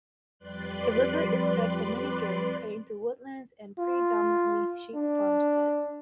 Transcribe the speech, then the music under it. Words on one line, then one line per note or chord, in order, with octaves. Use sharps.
The river is fed from many gills cutting through woodland and predominantly sheep farmsteads.
F2 G3 B4 D5 C6 F#6
F4
D4